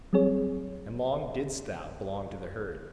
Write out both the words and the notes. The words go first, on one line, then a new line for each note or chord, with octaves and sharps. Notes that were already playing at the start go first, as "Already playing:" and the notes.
And long didst thou belong to the herd.
F#3 G3 C4 G#4 C#5